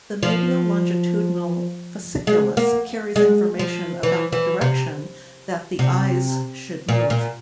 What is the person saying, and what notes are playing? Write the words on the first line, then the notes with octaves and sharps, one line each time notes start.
The medial longitudinal fasciculus carries information about the direction that the eyes should move.
F3
G#3
A#3
G#3
F3
E3
E3
C3
C3
A#2
A#2